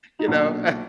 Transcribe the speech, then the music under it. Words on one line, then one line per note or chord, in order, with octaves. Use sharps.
you know. Uh
D#4
B1 A#2 D4